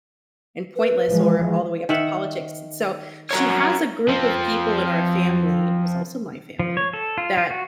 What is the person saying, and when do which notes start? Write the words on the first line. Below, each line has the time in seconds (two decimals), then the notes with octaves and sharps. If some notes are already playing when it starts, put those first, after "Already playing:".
and pointless, or all the way up to politics, and so, she has a group of people in our family- who is also my family- that
0.76 B4
1.08 E3 F3 G#3
1.89 D#3 E5 F#5
3.31 F#4 A#4 C#5
4.09 F3 C4
6.59 F3
6.77 C#5
6.93 A4
7.18 F4
7.37 F4
7.51 F#4